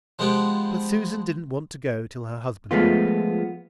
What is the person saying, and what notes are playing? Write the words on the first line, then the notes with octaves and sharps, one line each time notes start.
But Susan didn't want to go till her husband went.
F3 G#3 B3 G4
F3 G#3 A3 B3 F4